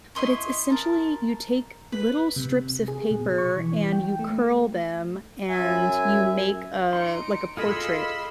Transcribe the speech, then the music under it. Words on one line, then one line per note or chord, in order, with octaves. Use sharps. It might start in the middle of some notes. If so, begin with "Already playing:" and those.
but it's essentially you take little strips of paper, and you curl them, and you make, uh, like, a portrait
E4 D#5 C6 C#6
A#4 A5
B4
C3
G#4
B2
C#6
E3
G5
A3
F#2 E5 G#5
D#4 C6 C#7 D7
F4 G#4 A4 D#5 B5 C6 E6